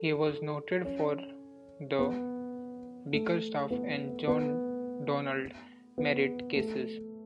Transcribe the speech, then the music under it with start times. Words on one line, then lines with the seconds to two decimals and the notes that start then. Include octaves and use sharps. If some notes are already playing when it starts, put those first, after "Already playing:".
He was noted for the Bickerstaff and John Donald Merritt cases.
Already playing: A4
0.27 A4
0.85 C#4
1.99 B3
3.13 A3
3.71 B3
4.28 B3
5.98 B3
6.56 A3